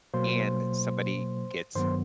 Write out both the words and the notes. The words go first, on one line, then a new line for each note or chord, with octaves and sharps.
and somebody gets
B2 F#3 A#3 C5 C6
G2 D#3 F#3 B3 C5 C6